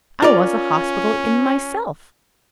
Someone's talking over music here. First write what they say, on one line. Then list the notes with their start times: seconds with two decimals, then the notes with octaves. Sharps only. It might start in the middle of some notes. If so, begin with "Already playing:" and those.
I was a hospital in myself.
0.22 C#4 F4 A#4 D5